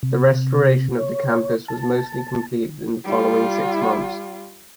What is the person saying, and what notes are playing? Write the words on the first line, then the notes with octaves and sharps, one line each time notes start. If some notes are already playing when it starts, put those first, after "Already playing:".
The restoration of the campus was mostly completed in the following six months.
C3
C#5
A5
G3 F4